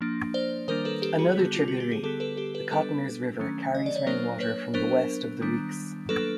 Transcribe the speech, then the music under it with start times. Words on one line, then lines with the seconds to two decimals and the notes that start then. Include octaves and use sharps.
Another tributary, the Cottoners River, carries rainwater from the west of the Reeks.
0.01 F3 A#3 D4
0.34 C5 D5
0.68 D#3 G3 A#3 D4 A#4 C5
0.85 A4 B4
1.02 G4 A4
1.19 F#4 G#4
1.35 D3 G3 B3
1.56 F4
1.68 F#4
1.80 G4
1.92 G#4
2.03 D3 G3 B3 G4 A4
2.20 A4 B4
2.37 G4 A4
2.54 A4 B4
2.71 G3 B3 D4 A4 B4
3.39 D#3 F#3 A3 C#4
3.75 D#5
3.86 D5
3.96 C#5
4.06 F#3 A#3 D4 A#4 C5
4.40 B4 C#5
4.74 F#3 B3 D4 A#4 C5
5.41 D#3 G3 B3 D4
6.09 F#3 A#3 D4 A4 B4